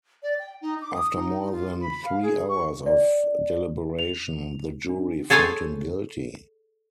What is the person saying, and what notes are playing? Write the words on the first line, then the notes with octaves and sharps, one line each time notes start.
After more than three hours of deliberation the jury found him guilty.
D5
G5
D#4
D6
D#6
D#4
F4
B5
F5
G#4
C#6
D5
F7
D4
G#4 A4 C5 C#5 G#5